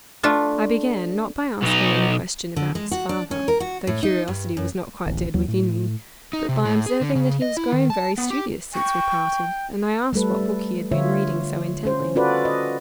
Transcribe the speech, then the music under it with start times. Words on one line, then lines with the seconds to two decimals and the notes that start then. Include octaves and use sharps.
I began, not by asking any question about his father, though curiosity was not quite dead within me, but by observing that he was grown very studious since we parted; and I asked what book he had been reading so intently.
0.23 A3 D4 F4
1.62 B1 D#4
2.56 D3
2.75 G#3
2.91 F#4
3.09 D4
3.31 C#4
3.48 A#4
3.60 F#4
3.87 A2
4.03 D#4
4.28 G2
4.57 F#2
5.06 D1 A1
5.34 D#2 F#3
5.48 A2
6.33 D#4
6.49 C3
6.65 A2
6.86 G#4
7.01 D3
7.15 C#3
7.42 D#5
7.57 E4
7.72 D#3
7.90 A5
8.18 B3
8.30 G4
8.75 G5 C#6
10.13 G3 A3 A4 B4
10.92 D3 F4 C#5 E5
11.85 C#4 C5
12.15 C#4 F4 F#4 A4 B4 D5
12.45 D#5